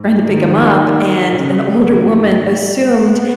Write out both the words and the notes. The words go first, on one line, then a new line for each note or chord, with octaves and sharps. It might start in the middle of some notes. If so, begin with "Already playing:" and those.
friend to pick him up and an older woman assumed
Already playing: G#2
D#3
C#3
G#2 D#3
B3